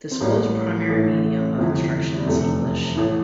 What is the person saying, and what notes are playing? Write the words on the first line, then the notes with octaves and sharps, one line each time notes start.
The school's primary medium of instruction is English.
C4
A1 A2 E3 G3 A#3
A1 A2 E3 A3
G1 F2 C3 E3
G3
F1 E2 C3 A3
A1 A2 E3